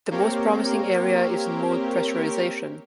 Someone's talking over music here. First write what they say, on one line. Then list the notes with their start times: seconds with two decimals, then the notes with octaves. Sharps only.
The most promising area is in mold pressurization.
0.11 A#3 C4 G4 A#4 C#5